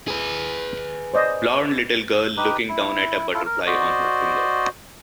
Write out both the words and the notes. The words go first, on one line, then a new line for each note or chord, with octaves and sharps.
Blond little girl looking down at a butterfly on her finger.
G#4 B4
C5 D5 D#5
D#4 G4 B4
E4
E4 F4 A4
A#4
F#4 C5 D5 D#5